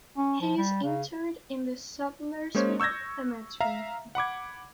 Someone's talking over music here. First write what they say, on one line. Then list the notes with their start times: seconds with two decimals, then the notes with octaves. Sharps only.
He is interred in Sudlersville Cemetery.
0.17 C#4
0.41 F3
0.58 G3
0.84 C#3
2.55 G#3 A#3 C#4 C5 C#5
2.80 C#6 E6 G6 G#6 A#6
3.60 E5 F5 A#5
4.15 F#5 B5 D6 G#6